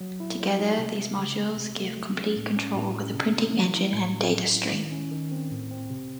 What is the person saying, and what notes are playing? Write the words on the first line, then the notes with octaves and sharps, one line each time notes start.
Together, these modules give complete control over the printing engine and data stream.
F#3
E4
F#3
D#4
C3
G#3
C#3
A3
C3
A3
F#3
C#4
A2
C#4
A2
C#4
C3
A3
E3
E4
A2
C#4
F#3
E4
D#3
C#4
D#3
C4
A2
C4
C3